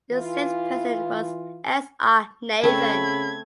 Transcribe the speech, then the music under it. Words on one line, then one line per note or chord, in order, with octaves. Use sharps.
The sixth President was S. R. Nathan.
E3 F4
C#3 A3 C4 B5 G#6